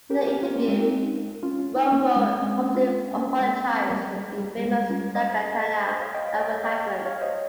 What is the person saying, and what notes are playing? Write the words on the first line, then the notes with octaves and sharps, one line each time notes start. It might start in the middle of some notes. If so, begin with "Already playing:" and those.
In the interview, Romero publicly apologized for the infamous "Daikatana" advertisement.
G4 A#4
G4 A#4
C#4 F4
A#3 C#4
G#3 C4
C4 D#4
C#4 F4
C#4 F4
C4 D#4
A#3 C#4
G#3 C4
G#3 C4
A#3 C#4
C#4 F4
A#3 C#4
A#3
G#3 C4
G3 A#3
G3
G3
G3
G#3
C#4 F4
C5 D#5
C5 D#5
C#5 F5
D#5 G5
D#5 G5
D#5 G5
D#5 G5
C#5 F5
C#5 F5
C5 D#5